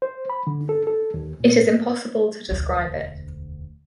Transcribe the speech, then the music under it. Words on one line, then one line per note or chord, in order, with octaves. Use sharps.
It is impossible to describe it.
C5
B5
D3
A4
A4
D#2
A#2
G#2
E1 D2